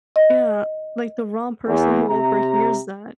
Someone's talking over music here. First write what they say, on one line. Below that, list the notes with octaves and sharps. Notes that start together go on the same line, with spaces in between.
Yeah, like the wrong person who overhears that.
D#5
E2
C3 A#5